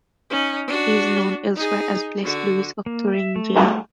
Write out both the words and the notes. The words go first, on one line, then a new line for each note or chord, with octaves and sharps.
He is known elsewhere as Blessed Louis of Thuringia.
C#4 D#4
D4 F#4
D#4 G#4
D3 F#4
A#3
E5
A3